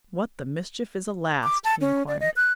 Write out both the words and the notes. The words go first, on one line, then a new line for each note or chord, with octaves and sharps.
"What the mischief is a last?" he inquired.
D6
A5
C#4
D5
D#5
F#6